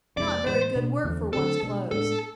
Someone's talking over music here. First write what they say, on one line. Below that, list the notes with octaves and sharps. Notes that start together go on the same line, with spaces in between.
Not very good work for one's clothes.
F2 C3 G#3 D5
A2 E3 G#3 C5
B2 B3 D4
E2 D3 F3 A3
D3 F3 A3 C4 A4
B2 G#3 B3 D4
A2 G#3 B3 D4 A4